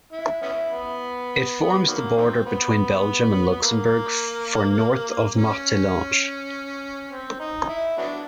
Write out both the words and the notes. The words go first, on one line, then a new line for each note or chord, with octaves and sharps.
It forms the border between Belgium and Luxembourg for north of Martelange.
E4
B3 C#4 E4
B3
D#3 F#3 A#3
D#3 F3 C4
B3
B3
A#3
C#4
C4
D#4
E4
F#3 B3 D4